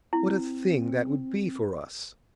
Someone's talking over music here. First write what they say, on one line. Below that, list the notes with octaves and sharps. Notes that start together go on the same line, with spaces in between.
'What a thing that would be for us!'
C4 E4